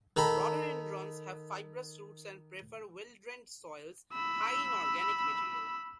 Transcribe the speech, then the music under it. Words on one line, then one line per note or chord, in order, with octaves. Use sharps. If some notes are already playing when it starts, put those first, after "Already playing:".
Rhododendrons have fibrous roots and prefer well-drained soils high in organic material.
D#3 A4 A#5 B5
B5 E6